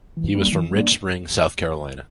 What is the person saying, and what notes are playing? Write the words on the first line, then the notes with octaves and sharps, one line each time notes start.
He was from Ridge Spring, South Carolina.
E3
G3 A#3 D4
E3
G3 A#3 D4